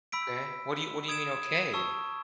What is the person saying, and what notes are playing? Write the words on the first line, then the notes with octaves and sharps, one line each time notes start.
Okay, what do you what do you mean, okay?
B5 E6 B6 D7
D#6 G#6 D7 E7
A5 C#6 E6